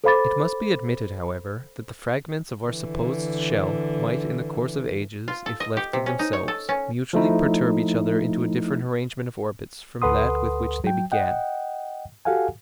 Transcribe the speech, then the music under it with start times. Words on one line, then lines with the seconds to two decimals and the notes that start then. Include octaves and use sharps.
It must be admitted, however, that the fragments of our supposed shell might in the course of ages, if left to themselves, mutually perturb each other into a different arrangement of orbits from that with which they began.
0.04 A4 C5 F5 B5 D6 A6
2.66 D3 E3
5.28 F4
5.46 A4
5.60 D#5
5.77 G4
5.93 C3
6.06 C#4
6.19 D#4
6.33 C#5
6.48 A4
6.69 C#4
7.13 F3 A3 D#4 E4
10.02 D2 A4 B4 F#5 C6 D#6
10.84 F#3 G5
11.12 D#5 F#5 G5
12.25 F#4 G4 A4 F5 F#5 G#5